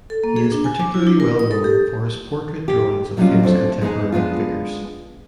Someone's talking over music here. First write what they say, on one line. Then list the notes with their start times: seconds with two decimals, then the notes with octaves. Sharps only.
He is particularly well known for his portrait drawings of famous contemporary figures.
0.10 A4
0.24 A#3
0.36 G#4
0.52 D4
0.64 G#5
0.80 D6
0.94 E4
1.07 D4
1.20 A#4
1.39 D#6
1.51 A4
1.64 G4
2.68 G4
3.17 B2 F#3 G3 C4 C#4 F4
3.43 A3 C4 D4
3.82 G#3 B3 D#4 G#4
4.12 G#3 B3 D4 F4